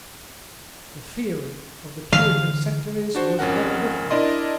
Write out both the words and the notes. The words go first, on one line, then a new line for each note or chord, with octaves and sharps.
The theory of the Puritan sectaries was very different.
D3 E3 F5
D4 F#4 C5
G#1 F2 C#4 A#4 F#5
D4 E4 A#4 D5 D#5 C6